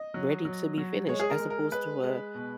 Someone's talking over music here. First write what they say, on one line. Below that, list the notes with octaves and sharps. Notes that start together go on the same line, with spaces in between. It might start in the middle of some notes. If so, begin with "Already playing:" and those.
ready to be finished, as opposed to a
Already playing: D#5
F#3
F#3
F#3
G#3 C#5
G#4
A#4
G#3
A#4
G#3 B4
G#3
B2